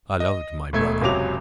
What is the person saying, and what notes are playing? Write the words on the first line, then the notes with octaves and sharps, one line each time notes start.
I loved my brother.
D#5
E1 A3 G#6
F#1 C#2 C3 F#3 D6 F7